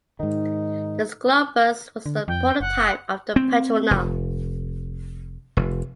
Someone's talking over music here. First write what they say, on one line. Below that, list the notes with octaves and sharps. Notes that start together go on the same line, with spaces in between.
The sclopus was the prototype of the petronel.
G#2 D#3 D#4
D3
F2 G5
F#1 F#5
C4
F1
F1